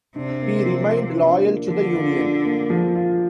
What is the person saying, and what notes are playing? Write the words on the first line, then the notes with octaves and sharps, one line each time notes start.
He remained loyal to the Union.
C3 D4
A#3
F3
F4
D4
A#3
D3 F3
F4
D4
A#3
F3
F4